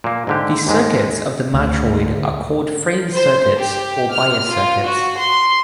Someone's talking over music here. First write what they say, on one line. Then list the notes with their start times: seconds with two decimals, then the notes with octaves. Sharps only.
The circuits of the matroid are called frame circuits or bias circuits.
0.04 A#2 A#3
0.27 G#2 D3 G4
0.67 D#2 G#2 G#3
1.54 D2
3.16 C5
3.59 G4
4.12 F6
4.50 F4
4.84 F#4
5.19 C6